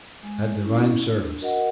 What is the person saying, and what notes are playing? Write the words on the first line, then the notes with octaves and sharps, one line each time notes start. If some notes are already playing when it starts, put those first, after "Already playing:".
Had Divine Service.
G#3
C#4 E4
D4
F#4 A#4 D#5 F#5